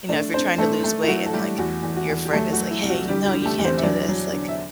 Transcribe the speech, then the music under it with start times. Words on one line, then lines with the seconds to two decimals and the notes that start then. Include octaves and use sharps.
you know, if you're trying to lose weight, and, like, your friend is, like, "Hey, y no, you can't do this," like,
0.09 A3 D4 D5
0.34 C4 D4 C5
0.58 A3 D4 A4
0.84 A3
1.03 E4
1.08 F#3 F#4
1.26 A4
1.33 G3 A3 G4
1.58 E2 F#4
1.83 E2
1.96 F#4
2.09 E2
2.25 G4
2.33 F#3 A3 A4
2.53 F#4
2.58 F#3
2.71 E4
2.83 C2
2.90 F#4
3.08 D3 G3 G4
3.27 G3 G4
3.33 D3
3.42 G4
3.46 A3 A4
3.59 E2
3.64 C4 C5
3.77 E5
3.83 F#3 D4 D5
4.09 F#3
4.33 D3
4.48 E5